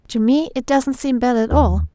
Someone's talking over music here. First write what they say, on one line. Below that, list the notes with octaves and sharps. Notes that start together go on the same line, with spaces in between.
To me, it doesn't seem bad at all.
D#2